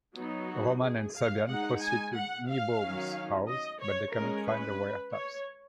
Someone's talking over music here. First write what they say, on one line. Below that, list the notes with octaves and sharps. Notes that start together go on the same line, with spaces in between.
Roman and Sabian proceed to Niebaum's house, but they cannot find the wiretaps.
F#3 B3 D#4
F#4
G#4
F5
G#3 D#4 F#5
G#5
F#5
F5
D#3 F#3 C#4
D#5
C#5
G#3 C#4 A#4
B4
C#5